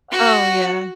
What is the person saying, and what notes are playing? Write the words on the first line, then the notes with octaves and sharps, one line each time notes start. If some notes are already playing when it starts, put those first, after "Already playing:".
Oh yeah.
F#4